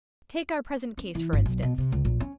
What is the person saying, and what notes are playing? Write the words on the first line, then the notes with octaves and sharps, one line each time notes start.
Take our present case, for instance.
C#4
E3
G1
B1
B2
C3
C#2
A#1
C#4